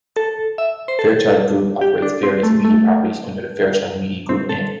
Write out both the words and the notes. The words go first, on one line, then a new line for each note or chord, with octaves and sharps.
Fairchild Group operates various media properties under the Fairchild Media Group name.
A4
E5
C5
A4
G4
D4
C4
A3
A3
C4
A4